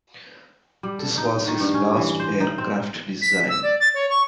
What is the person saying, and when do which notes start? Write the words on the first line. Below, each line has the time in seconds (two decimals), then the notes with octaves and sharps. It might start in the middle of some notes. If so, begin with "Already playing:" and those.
This was his last aircraft design.
0.83 G3
0.99 A4
1.17 D#4
1.48 D#3
1.60 G2
1.74 C#4
1.97 E3
2.20 C5
2.40 D#4
2.58 C4
3.22 B6
3.49 E6
3.63 D5
3.80 A6
3.94 C#5
4.10 C#6